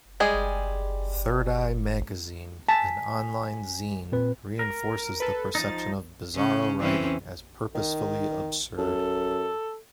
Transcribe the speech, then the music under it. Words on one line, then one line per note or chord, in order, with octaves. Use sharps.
"Thirdeye Magazine", an online zine, reinforces the perception of Bizarro writing as purposefully absurd.
G3 G#3 G#4
G#5 A5 B6
A#2 C4 B4
A#4
A4 B4
F3 D#4 A6
C#3 C#4
E3 C4 C#4
D#3
F#2 A4